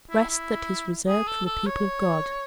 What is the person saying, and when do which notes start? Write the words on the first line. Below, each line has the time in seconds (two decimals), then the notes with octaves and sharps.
"Rest that is reserved for the people of God."
0.10 E4
0.29 E4
1.07 G#4
1.27 A4
1.46 A4
1.66 C#5